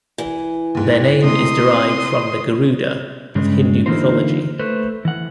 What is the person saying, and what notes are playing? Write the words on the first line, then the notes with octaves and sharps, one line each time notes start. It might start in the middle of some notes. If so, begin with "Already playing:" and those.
Their name is derived from the Garuda of Hindu mythology.
E3
D#2 G#2
C3 G#3 A3 C6 D#6
G2 C#3 G#3
D3 E3 A#3 D#4 F4 C5
A3 B4 C5
E3 F#5